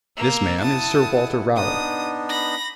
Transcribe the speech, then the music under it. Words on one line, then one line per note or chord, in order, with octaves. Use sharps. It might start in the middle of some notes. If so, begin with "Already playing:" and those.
This man is Sir Walter Raleigh.
A#3 E6
E4 F#5 A5 D#6
B3 D4 D#4 D#6
B5 A#6